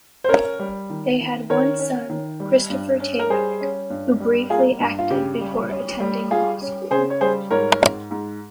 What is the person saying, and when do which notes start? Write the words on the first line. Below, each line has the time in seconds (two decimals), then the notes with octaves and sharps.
They had one son, Christopher Tayback, who briefly acted before attending law school.
0.24 C5
0.29 C#4 A#4 C#5
0.59 G3
0.90 D#3
1.20 D#3
1.50 D#3 A#4 C#5
1.79 C#4
2.10 D#3
2.40 G3
2.70 G2
3.00 C#4
3.19 A#4
3.30 G3 G#4 C5
3.61 C#4
3.90 G2
4.20 G3
4.50 A#3 F4 G#4
4.80 G2
4.99 F4
5.10 C#3 G4
5.41 G3
5.70 C#4
6.00 G3
6.31 G3 F4 G#4
6.61 C#4
6.91 C#3 G#4 C5
7.10 C#5
7.21 G3 G#4 C5
7.51 G#2 A#4 C#5
7.81 G#2
8.11 G#2